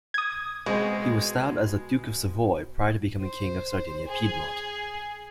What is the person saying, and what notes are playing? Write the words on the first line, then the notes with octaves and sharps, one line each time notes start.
He was styled as the "Duke of Savoy" prior to becoming King of Sardinia-Piedmont.
D#6 G#6
B2 G#3 C4 G#4
C5
G#4